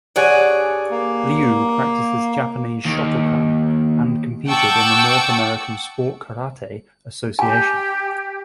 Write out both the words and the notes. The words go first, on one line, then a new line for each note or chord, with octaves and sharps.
Liu practices Japanese Shotokan and competed in the North American Sport Karate Association.
G2 G#4 C#5 D5 F#5 G#5
A#3
D#2
F#5 G5 A5 C#6 D6 E6
G4 G#5